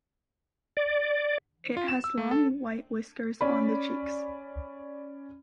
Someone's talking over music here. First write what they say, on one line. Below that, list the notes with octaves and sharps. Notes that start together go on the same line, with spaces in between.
It has long white whiskers on the cheeks.
D5
F4
E7
E6
A3
A4
C#4 D5 B5